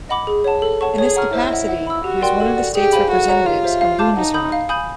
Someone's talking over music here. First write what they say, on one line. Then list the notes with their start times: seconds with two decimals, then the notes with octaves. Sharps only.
In this capacity, he was one of the state's representatives on the Bundesrat.
0.09 D#5 F#5 B5 D6
0.27 G#4
0.44 C#5 F#5 A5
0.62 A4
0.81 C#5 F#5 A5 C#6
0.98 G#4 C#5
1.16 F#5 A#5 C#6 F6
1.33 E4 C5
1.51 D#5 F#5
1.68 F#5
1.87 B5 E6
2.04 F#4 G4
2.21 A#4 D5 G5 C6
2.40 A4
2.57 D5 F#5
2.75 G4 G#4
2.93 C5 F5 G#5 B5
3.10 F#4 A4
3.28 C#5 F#5 A#5
3.46 F4 G4
3.64 C5 E5
3.81 F5
3.99 A5 D6 G6
4.16 D#4 F#5
4.34 B5 D#6 G6
4.52 F5
4.69 G#5 B5 D#6 G6